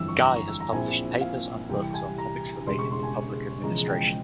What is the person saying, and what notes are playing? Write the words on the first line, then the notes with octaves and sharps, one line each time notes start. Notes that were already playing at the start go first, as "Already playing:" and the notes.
Guy has published papers and books on topics related to public administration.
Already playing: G1 F2 E3 E6
C#6
A#5
C#6
E6
A#5
A#1 A#2 F3 C4 E4 G#5
F5
C2 C3 E3 G5
G#5
A#5
E1 E2 C#3 G3 C6
C#6
C6
G#5
E1 E2 C#3 F3 G#3 A#5
G5